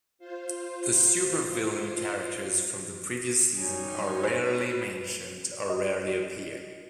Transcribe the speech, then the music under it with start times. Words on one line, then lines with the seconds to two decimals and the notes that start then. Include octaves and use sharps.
The super villain characters from the previous season are rarely mentioned or rarely appear.
0.19 F4 C5
3.57 G3 C#4 D#4 G#5
4.23 B4 C5 F6
5.70 D#5